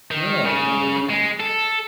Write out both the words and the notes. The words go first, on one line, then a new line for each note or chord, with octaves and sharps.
No, no, no, no, no, no, no, no.
D#3
C#3
G#3
A4